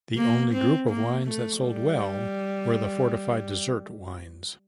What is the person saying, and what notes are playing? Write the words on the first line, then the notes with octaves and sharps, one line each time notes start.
The only group of wines that sold well were the fortified dessert wines.
A#3
C4
A#3
A3
G3